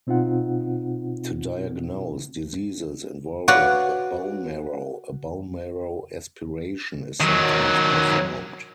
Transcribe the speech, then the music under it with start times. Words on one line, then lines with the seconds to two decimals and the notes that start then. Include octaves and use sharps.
To diagnose diseases involving the bone marrow, a bone marrow aspiration is sometimes performed.
0.07 B2 C4 D#4 F4 F#5
3.48 F#4 B4 C#5 D5 F5 F#5
7.21 D#3 F#3